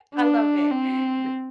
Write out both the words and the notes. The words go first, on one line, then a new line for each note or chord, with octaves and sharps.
I love it. Do d
D4
C4